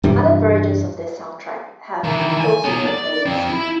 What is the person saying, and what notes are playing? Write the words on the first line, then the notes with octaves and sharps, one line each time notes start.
Other versions of this soundtrack have also been released.
G2 C3 E3
D#3 E3
G#5
B3 C#5
D5
F3 C4
E4